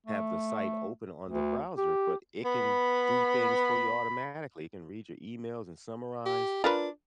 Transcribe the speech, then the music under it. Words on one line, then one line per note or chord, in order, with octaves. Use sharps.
have the site open on the browser, but it can do things for you automatically. It can read your emails and summarize.
A3
D2
G4
B3 B5
G4
D4 F4 A#4 B4